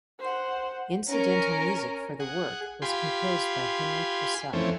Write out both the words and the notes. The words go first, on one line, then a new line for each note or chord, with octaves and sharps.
Incidental music for the work was composed by Henry Purcell.
C5 F#5
C#4 A#4
G#4 F#5
F4 G4 G#5 B5 C6
F2 E3 A3 C4 C#4